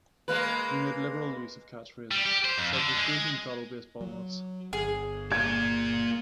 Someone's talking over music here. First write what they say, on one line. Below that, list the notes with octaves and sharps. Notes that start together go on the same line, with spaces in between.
He made liberal use of catchphrases, such as Greetings fellow baseball nuts!
G#3 A#3 B4
G3
G4
C5
F2
D3
G#3
F#3
G1 G#4
A#3 D5 G#6